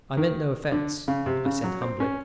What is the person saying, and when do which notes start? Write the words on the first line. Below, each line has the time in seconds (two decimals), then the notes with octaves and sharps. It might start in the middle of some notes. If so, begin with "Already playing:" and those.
"I meant no offence," I said humbly.
0.17 D#3
0.72 D3
1.08 C#3
1.26 C3
1.46 C#3
1.64 F#3
1.82 C4
2.00 C#4